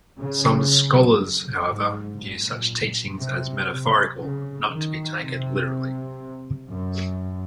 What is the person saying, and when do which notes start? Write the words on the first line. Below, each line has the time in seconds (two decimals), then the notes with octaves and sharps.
Some scholars, however, view such teachings as metaphorical, not to be taken literally.
0.19 C#3
1.69 G#2
2.18 A#2
3.18 C3
3.68 C3
4.18 C#3
4.69 D#3
5.19 C3
6.69 F#2